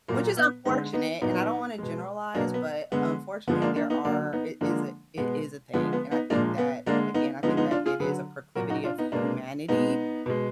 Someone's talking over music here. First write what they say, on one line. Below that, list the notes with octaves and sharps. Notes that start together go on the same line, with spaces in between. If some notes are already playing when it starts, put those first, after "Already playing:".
Which, is unfortunate, and I don't wanna generalize, but, unfortunately, there are it is a it is a thing, and I think that again, I think that it is a proclivity of humanity,
A#2 F#3 A#3
B3
D3 G#3 B3 D#4
B3 D#4
A#2 F#3 B3 D#4
B2 G#3
B2 F#3 A#3 D4
B3
D3 G#3 B3
D3 F3 G#3 B3
A#3 D4
A#3 D4
B3 D#4
D3 F#3 A#3 D4
B3 D#4
D3 F3 G#3 A#3 D4
B2 G#3 B3
D3 F3 G#3 B3
B3
B3 D#4
A#2 F3 G#3 A#3 D4
B3
D3 G#3 A#3 D4
B3 D#4
D3 F3 G#3 B3 D#4
B3 D#4
D4 F4
F4 G#4
D3 F#3 G#4 B4
A#2 F#3 F#4 A#4
D#4 F#4
D4 F4
B3 D#4
B2 G#3 A#3 D4
B2 G#3 B3 D#4
B2 G#3